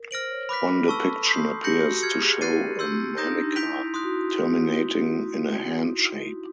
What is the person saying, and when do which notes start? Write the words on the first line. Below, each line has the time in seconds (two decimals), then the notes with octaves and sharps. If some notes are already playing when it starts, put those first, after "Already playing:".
One depiction appears to show a manica terminating in a hand shape.
Already playing: A#4
0.11 C5 F6 A#6 D7 F#7
0.30 C#5
0.49 B4 B5 D6 F#6 B6
0.68 A4
0.87 A4 A5 C#6 E6
1.26 C6 D#6 G6 C7
1.64 G4 G6 A#6 C#7 F#7
1.77 F#4
1.90 F#4
2.02 G4 F6 G#6 C#7
2.21 G#4
2.41 G4 F#6 A6 C7 D#7
2.79 C6 E6 G6
3.17 D#4 A#5 D#6 G6 A#6
3.30 D4
3.43 D#4
3.56 E4 G6 B6 D7 F7
3.75 E4
3.94 C6 D#6 F#6
4.03 F#4
4.13 E4